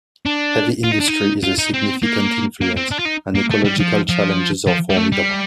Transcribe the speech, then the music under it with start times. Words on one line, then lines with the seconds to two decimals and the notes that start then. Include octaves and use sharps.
Heavy industry is a significant influence, and ecological challenges are formidable.
0.25 D4
0.84 F4
0.92 D#4
1.00 D4
1.08 D#4
1.43 F4
1.58 D#4
1.73 C4
2.03 A#3
2.61 A#3
2.77 C4
2.91 D4
2.99 F4
3.05 D#4
3.35 A#3
3.50 A3
3.64 G3
3.79 F3
4.09 F3
4.67 F3
4.90 G3
4.97 A3
5.12 G3